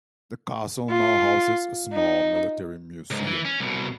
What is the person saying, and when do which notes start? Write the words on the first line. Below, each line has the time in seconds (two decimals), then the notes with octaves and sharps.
The castle now houses a small military museum.
0.90 F4
1.93 D#4
3.11 C#2 G#2
3.26 E3
3.45 C#4
3.60 C2 B2